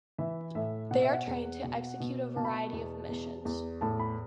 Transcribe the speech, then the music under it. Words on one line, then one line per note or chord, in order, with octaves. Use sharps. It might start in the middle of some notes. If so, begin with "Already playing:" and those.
They are trained to execute a variety of missions.
E3 E5
A2 E5
B2 F#5
E5
F#5
E2
B2
B2
B2 A5
B5
A5
E2
E2
E2
A2 A5
B5